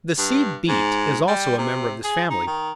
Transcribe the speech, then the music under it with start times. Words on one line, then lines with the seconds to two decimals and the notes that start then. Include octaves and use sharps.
The Sea Beet is also a member of this family.
0.18 G2
0.68 G#2
1.27 G3
1.58 C3
2.04 G#4
2.30 D#4
2.47 D#3